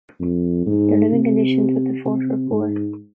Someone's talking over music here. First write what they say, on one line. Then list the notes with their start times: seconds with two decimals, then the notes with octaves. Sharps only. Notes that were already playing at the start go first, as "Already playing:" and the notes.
The living conditions at the fort were poor.
0.19 F2
0.66 G#2
1.12 C3
2.05 C3
2.51 G#2